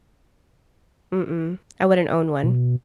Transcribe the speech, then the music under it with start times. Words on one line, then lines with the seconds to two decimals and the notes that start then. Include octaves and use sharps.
Mm-mm, I wouldn't own one.
2.44 B2